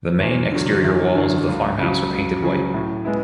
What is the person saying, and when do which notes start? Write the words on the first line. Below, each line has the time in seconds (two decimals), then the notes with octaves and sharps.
The main exterior walls of the farmhouse are painted white.
0.20 E2
0.52 D3 F#3
0.84 E2
1.15 D3 F#3
1.48 C#2
1.78 C#3 F#3
2.10 C#2
2.42 C#3 F#3
2.74 A2
3.05 G#3 B3 E4